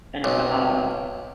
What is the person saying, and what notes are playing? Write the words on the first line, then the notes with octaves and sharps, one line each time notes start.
an empanada?
B1